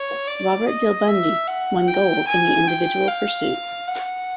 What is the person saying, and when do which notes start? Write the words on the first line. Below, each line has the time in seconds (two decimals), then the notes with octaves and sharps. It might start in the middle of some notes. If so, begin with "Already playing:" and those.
Robert Dill-Bundi won gold in the individual pursuit.
Already playing: C#5
0.27 D5
0.68 D#5
1.08 E5
1.48 F#5
1.88 G5
2.28 G#5
2.68 G5
3.08 F5
3.88 F#5